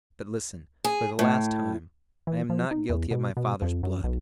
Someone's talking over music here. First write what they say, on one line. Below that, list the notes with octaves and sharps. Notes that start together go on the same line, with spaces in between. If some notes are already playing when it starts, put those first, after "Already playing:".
But listen, for the last time, I am not guilty of my father's blood.
G#4
A2
E3
F3
D#4
E2
B2
B2
F2
F#2
B1